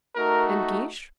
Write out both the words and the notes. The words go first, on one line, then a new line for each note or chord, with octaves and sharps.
"And Guiche?"
A3 D#4 F#4 A#4